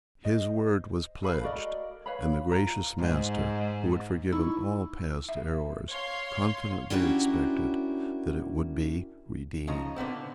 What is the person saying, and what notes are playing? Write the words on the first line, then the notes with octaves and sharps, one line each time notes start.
His word was pledged; and the gracious master who had forgiven all past errors confidently expected that it would be redeemed.
C5 D#5
A4 F5 B5
F#4 A#4 D5 D#5
B4 C#5 F5 B5
F4 A#5
G#2
D#4 E4 C#6
E5
C#5 F5 C6
C#4 D4 E4 F#4 G4 A#4
C#3 F3 D#4 A#5
A#2 D3 B3 C4